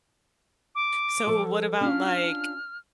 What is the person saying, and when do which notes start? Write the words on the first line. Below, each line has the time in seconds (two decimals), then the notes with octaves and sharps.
So what about, like,
0.75 D6
1.27 F3 A4 A5
1.81 C#4 D4 F4 F6